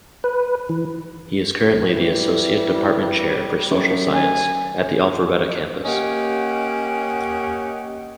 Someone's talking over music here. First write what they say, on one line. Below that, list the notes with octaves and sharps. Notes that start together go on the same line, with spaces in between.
He is currently the Associate Department Chair for Social Science at the Alpharetta Campus.
B4
E3
E3 G3
F#2
G#5
A#3 C#4 G4 C#5 D#5 F#5